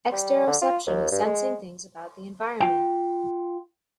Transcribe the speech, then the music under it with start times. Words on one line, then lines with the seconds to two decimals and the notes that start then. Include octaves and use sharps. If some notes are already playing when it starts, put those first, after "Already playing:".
Exteroception is sensing things about the environment.
0.12 G3
0.47 D3
0.62 F4
0.87 D#2
1.12 G2
1.25 G#3
2.60 F4 G5